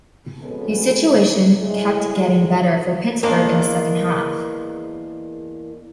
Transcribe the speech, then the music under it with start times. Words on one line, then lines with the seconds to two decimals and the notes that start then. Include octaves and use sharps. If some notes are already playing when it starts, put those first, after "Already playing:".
The situation kept getting better for Pittsburgh in the second half.
0.42 F2 B2 G#3 B3 C#4 A4
1.59 A2 G#3 E4
3.23 E2 G#3 A#3 D4